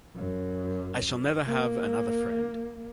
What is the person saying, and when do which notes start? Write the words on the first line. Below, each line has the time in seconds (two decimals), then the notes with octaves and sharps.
I shall never have another friend.
0.15 F#2
1.46 A#3